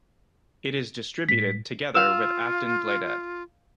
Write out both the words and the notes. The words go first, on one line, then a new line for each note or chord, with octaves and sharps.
It is distributed together with "Aftonbladet".
A2 G#3 B6
F4 F5 E6